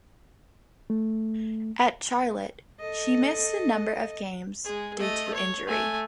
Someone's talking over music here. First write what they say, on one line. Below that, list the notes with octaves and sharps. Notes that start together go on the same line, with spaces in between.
At Charlotte, she missed a number of games due to injury.
A3
A4 D#5
G#3 G#4
A3 D#5
C#5
A3 G#5